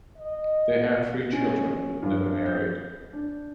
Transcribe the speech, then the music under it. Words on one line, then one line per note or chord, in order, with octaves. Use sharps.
They had three children, but never married.
D#5
C#4
G2
G6
D4